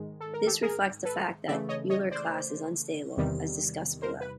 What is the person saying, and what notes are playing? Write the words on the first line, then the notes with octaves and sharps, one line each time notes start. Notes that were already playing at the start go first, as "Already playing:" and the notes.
This reflects the fact that the Euler class is unstable, as discussed below.
Already playing: G#2 D#3 G#3
A4
A#4
G4 A4
G#4 A#4
A4 B4
C#3 E3 A3 D5 E5
C#5 D#5
C#5 D#5
C5 D5
E2 C3 D#3 G3
A#4 C5
B4